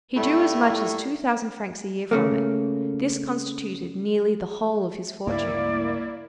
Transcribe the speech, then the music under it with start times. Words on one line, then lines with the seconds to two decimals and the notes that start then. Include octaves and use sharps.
He drew as much as two thousand francs a year from it; this constituted nearly the whole of his fortune.
0.17 A2 G3 A3
2.11 C#3 A3 A#3
5.27 C#2 G2 A3 A#3 E4 D5